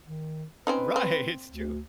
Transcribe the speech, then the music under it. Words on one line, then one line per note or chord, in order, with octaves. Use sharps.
Right. It's true.
D#3
C4 C#4 D#4 B4
C4
D2